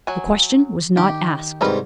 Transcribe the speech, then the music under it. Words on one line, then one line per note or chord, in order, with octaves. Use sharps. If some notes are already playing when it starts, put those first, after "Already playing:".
The question was not asked.
F#3 G#5
D#3 G4
C2 G#2 G3 D#4 A#4 B4